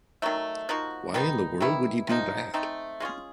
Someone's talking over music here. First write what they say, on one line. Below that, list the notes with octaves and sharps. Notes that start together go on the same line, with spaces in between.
Why in the world would you do that?
D#3 F#3 A3
F3 A#3 D#4 F#4
D#3 G3 B3 D#4
D#3 G3 B3 E4
C3 F3 A#3 D#4
A3 C4 D#4
G#3 C#4 F4 G#4